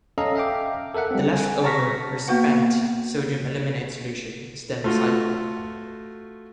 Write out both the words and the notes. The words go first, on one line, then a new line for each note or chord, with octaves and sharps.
The left-over or 'spent' sodium aluminate solution is then recycled.
C#4 A4 D#5 F5 A#5
E5 F5 G5 D6
A4 A#4 E5 F#5
G3 C4
F#5 G#5
A5 A#5 C#6 F6 A#6 B6
A#3 B3 F#4 B4 F#5
A3 F4 F#4